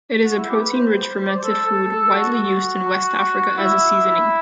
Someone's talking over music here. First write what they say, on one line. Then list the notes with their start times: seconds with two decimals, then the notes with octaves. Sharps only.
It is a protein-rich fermented food widely used in West Africa as a seasoning.
0.24 F#4
0.37 E4
0.49 G4
0.60 B4
0.73 C5
1.20 C5
1.27 D5
1.35 C5
1.43 A4
1.67 A4
1.91 A4
2.15 F#4
3.58 E4